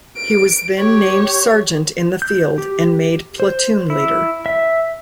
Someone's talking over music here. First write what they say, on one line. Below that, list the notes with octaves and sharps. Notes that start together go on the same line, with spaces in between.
He was then named sergeant in the field and made platoon leader.
D7
G4 C#5
G6
G4
C5
E4
E5